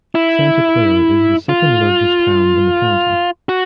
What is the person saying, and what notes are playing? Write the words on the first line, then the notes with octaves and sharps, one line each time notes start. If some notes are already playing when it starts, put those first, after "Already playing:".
Santa Clara is the second largest town in the county.
E4
F4
F#4